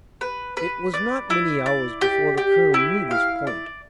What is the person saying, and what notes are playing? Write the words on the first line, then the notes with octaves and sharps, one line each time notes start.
It was not many hours before the colonel knew this point.
B4
B4
D5
E4
D5
G4
G4
E4
F5
D5